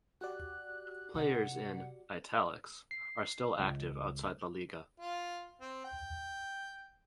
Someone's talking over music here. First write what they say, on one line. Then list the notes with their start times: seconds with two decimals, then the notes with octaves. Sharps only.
Players in "italics" are still active outside La Liga.
0.21 F#4 G4 D5 F#6
1.14 C3 F#5
2.91 C7
3.59 C#2
5.00 F4
5.61 C4
5.84 G5